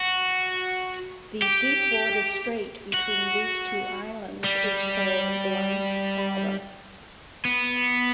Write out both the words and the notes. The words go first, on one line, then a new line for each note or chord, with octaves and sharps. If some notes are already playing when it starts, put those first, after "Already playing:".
The deep water strait between these two islands is called Blanche Harbor.
Already playing: F#4
G4
F#4
G3
B3